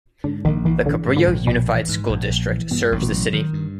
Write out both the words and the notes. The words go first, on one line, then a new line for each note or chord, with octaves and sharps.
The Cabrillo Unified School District serves the city.
G#2 D3
A#1 D#3
A#1 E3
D3 E3
G#2
D3
A#1
A#1 B2
E3
G#2
A#1
A#1
E3
G2 B2
A1
B2
F#3
D#3
G2